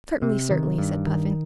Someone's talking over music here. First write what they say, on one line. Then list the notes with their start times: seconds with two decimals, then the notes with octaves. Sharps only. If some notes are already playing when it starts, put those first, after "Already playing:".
"Certainly, certainly," said Puffin.
0.22 C3
0.51 D#3
0.78 G2
1.07 D#3